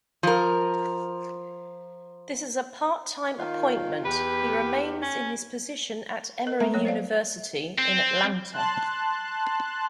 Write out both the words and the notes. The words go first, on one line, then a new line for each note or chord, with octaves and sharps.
This is a part-time appointment-he remains in his position at Emory University, in Atlanta.
F3 A#4
D#3 F4
E2 G4 B4
C#4
A#4 D#5
G#3 A3 B3 A4 E5 A#5
F#3 A#3 C#5
C5 D5 F5
C4
A5 C6 F#6